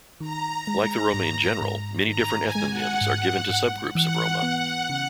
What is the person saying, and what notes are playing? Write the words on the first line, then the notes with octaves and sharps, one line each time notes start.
Like the Roma in general, many different ethnonyms are given to subgroups of Roma.
D#3 A#5
G#3
G#2
G#2
D#3 A#5
G#5
G#3
F#5
G#2
G#2
E3 F#5
B3
C#3